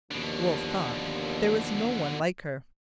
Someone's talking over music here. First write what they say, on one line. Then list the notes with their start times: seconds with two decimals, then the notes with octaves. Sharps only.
Wolfe thought there was no one like her.
0.11 D#2 B2 D3 F3